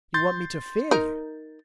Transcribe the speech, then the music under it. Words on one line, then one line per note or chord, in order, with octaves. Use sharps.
"You want me to fear you?"
C6 G6 A6
D#4 A#4